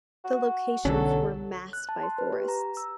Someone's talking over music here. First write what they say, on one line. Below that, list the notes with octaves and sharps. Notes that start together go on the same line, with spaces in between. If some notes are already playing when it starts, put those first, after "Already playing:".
The locations were masked by forests.
F#4
B1 D3 F#3 C#4 A4
F#6
A5
C6
B4
G4
A#5
E6